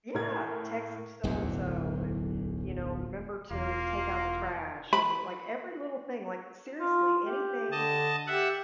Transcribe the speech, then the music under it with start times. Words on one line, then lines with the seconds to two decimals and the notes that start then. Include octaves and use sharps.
Yeah. "Text so and so," and, you know, "remember to take out the trash," and, like, every little thing, like, seriously, anything
0.14 A2 A#4 G#6
1.23 D1 B1 E2 D3
3.51 E1 E2 A#3 F4
4.93 B5
6.80 F4
7.25 G4
7.72 D3 D#5 A5
8.27 G4 E5 F#5